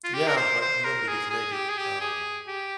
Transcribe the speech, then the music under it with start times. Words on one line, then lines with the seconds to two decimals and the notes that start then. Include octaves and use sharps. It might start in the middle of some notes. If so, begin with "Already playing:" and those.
Yeah, but nobody gets naked. Um
0.04 F4
0.14 G4
0.27 A#4
0.37 C5
0.61 C5
0.84 A#4
1.08 G#4
1.30 G#4
1.53 G4
1.69 G#4
1.78 G4
2.00 G#4
2.47 G4